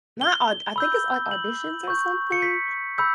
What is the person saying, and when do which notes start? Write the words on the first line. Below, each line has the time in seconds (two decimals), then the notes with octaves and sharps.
not au I think it's, like, auditions or something?
0.21 G7
0.76 B5 E6 G6
1.31 F#7
1.88 C#6 G6
2.32 C#7
2.42 B6
2.98 B5 E6 G6